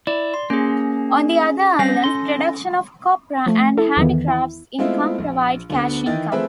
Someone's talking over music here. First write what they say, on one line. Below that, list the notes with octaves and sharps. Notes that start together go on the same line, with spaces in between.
On the outer islands, production of copra and handicrafts income provide cash income.
E4 D5
C6
A#3 C#4 G#4
G3 C#4 B4 F5 A#6
A4 C6
F3 A3
E4 A4
E2 D#3 E3 B3
E4
G#3 A3 B3 C4 E4 F4
A#1
D2 D3 B3
D#3 E3 E4 D#5 G5 A6
F3 A3 C4 G#4 B4 E5